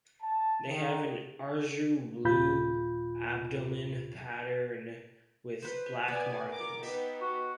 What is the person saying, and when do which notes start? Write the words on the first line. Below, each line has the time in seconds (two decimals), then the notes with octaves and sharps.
They have an azure blue abdomen patterned with black markings.
0.21 A5
0.67 D#3
2.24 D#2 A#2 F4 B5 G6
5.62 B4 C5
6.08 B3 D5 G#5
6.50 A#4 D6
6.83 B3 D#4 G4 E5
7.22 F#4